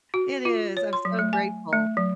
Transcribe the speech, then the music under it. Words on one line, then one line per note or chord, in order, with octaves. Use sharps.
It is, I'm so grateful.
F#4
F4
C#5
C6
F#3
A3
G#5
A3
F#3